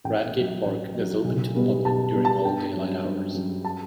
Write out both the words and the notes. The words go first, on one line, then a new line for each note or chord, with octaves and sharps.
Bradgate Park is open to the public during all daylight hours.
A1 G5
A2 F#3
A1
A2 F#3
B1
B2 G3 B3
B1 A5
B2 G3 B3
A5
G2 G5
F#3 C#4
G2
F#3 C#4
A5